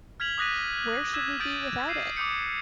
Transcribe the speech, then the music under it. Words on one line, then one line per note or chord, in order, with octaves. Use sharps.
Where should we be without it?
F6 G#6 B6 F7 F#7
D6 D#6 F#6 A#6 B6 D#7
E6 F#6 G#6 B6 E7
D#6 G6 A6 D7 D#7 F#7
G6 A6 C7 D#7 E7
D6 D#6 G6 C#7